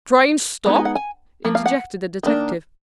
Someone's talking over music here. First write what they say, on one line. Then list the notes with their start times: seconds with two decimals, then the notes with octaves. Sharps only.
"The train stopped?" interjected the detective.
0.66 G#3 B3 D#4
0.76 G#5
0.85 F#5
0.95 G#5
1.45 F3 A#3
1.55 F5
1.66 F#5
2.23 D#3 A#3 D4